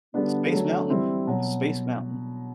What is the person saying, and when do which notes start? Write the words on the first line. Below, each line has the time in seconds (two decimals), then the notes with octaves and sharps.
Space Mountain. Space Mountain.
0.14 D3 G3 B3 D4
0.51 D3 F#3 A3
0.90 E3 G3 C4 E4
1.27 B2 F#3